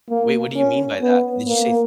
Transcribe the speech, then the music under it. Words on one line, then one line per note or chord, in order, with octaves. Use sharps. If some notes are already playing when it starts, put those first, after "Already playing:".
Wait, what do you mean by that? Did you say
A#3
C#4
B3
A#3